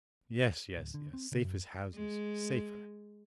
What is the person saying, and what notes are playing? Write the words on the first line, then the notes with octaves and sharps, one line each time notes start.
"Yes, yes, yes; safe as houses--safer."
D1
D3
C4
C#3
F#2
G#3